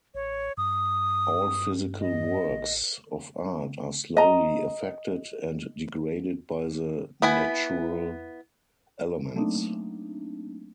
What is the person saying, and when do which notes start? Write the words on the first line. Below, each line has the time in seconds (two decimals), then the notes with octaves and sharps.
All physical works of art are slowly affected and degraded by the natural elements.
0.15 A1 C#5
0.57 G2 D#6
2.00 D#5
2.48 A1
4.17 D#5 A#5
7.22 B3 E4 G#5
9.35 F#3 A3 A#3 C4 D4 D#4